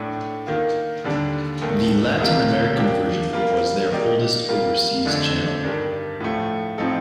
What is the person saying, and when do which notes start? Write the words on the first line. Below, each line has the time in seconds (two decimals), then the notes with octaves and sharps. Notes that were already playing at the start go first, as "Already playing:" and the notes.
The Latin American version was their oldest overseas channel.
Already playing: A2 A3 D4
0.47 D#3 A#3 F4
1.04 D#2 D3 G3 D4
1.62 D#2 D#3 A3
2.19 D2 C3 G3 A#3 F4
2.77 F3 A#3 D4 G4
3.33 G3 A#3 F4
3.91 D#3 A#3 D#4 G4 D5
4.49 G3 A#3 F4
5.05 F2 D3 A3 D4
5.63 G2 D#3 G3 D4
6.20 A2 F3 A3
6.78 A2 F3 C4 D#4 A4